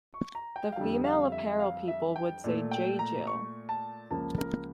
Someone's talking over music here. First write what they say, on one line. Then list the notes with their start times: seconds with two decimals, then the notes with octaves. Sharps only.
The female apparel people would say J. Jill.
0.14 C#6
0.35 A#5
0.56 G5
0.72 F5
0.76 F2 D3 G3 G5
1.04 F5
1.32 E5
1.60 F5
1.88 E5
2.16 G5
2.44 A#2 A3
2.71 G5
2.99 A#5
3.27 C#6
3.69 A5
4.11 C#2 C#3 F3 A#3 A5
4.38 A#4